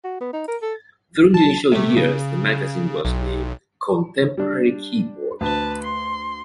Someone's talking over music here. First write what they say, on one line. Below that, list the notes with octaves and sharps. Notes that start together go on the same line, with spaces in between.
During the initial years the magazine was named "Contemporary Keyboard".
F#4
B3
D#4
A#4
A4
A5
C3 A3
C#3
B1
G3 D4
D2 B4 A5
C6